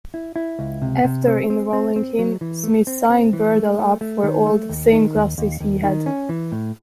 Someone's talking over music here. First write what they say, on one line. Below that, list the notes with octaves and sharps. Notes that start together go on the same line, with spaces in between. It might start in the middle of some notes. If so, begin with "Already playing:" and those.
After enrolling him, Smith signed Burdell up for all the same classes he had.
E4
E4
C#2
C3
C3
C4
C4
C4
C4
F#3
E3
A3
C4
C4
E3
A3
A3
A3
D#3
A3
D#2
D#3
D#2
D#2
D#2
D#3
C#4
E3
A2